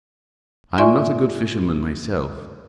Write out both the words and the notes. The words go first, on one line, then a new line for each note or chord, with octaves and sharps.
I am not a good fisherman myself.
F4 D5 E5 G#5 C6 C#6